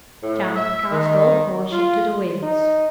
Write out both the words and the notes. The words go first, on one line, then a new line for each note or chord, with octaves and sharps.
Champ cast all caution to the winds.
A2
E5
D#3
F4
D#4